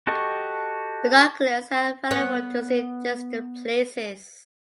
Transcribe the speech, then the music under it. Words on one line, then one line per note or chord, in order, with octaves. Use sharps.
Binoculars are available to see distant places.
F#4 G4 A4 D#5 C#6
B3 C#5